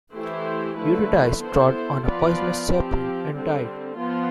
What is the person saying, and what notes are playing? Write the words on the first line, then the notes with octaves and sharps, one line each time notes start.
Eurydice trod on a poisonous serpent and died.
E3 A3 E4 G4 C5
D3 F3 A3 E4 B4
B3 E4 A4 C5
F3 B3 F4 B4 D5
F3 C4 G4
D3 G3 C4
F3 B3 F4 C5